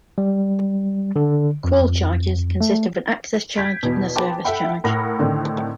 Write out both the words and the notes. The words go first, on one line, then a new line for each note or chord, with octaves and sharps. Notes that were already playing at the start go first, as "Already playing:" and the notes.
Call charges consist of an Access Charge and a Service Charge.
G3
D3
F2
A3
G6 G#6 B6 D7
E2 B2
G#4 B4 C5 G5 A5 D6
A4 E5 F#5 G5 B5
A2 A#4 F#5 B5 A#6
A2 D3 D#3 C4